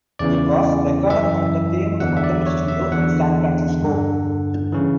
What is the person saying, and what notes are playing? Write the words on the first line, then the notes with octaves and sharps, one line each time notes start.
It was recorded at the famed Automatt studio in San Francisco.
E2 C#3 E3 D5
F#2 E3 E5
E2 D3 F#5
E5
D5
C#5
E5
E2 D3 F#5
G2 D3
C#3 E3